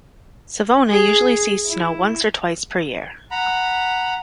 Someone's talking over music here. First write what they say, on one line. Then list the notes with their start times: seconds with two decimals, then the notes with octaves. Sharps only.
Savona usually sees snow once or twice per year.
0.89 G#4
1.67 E4
3.31 F#5 A#5 B5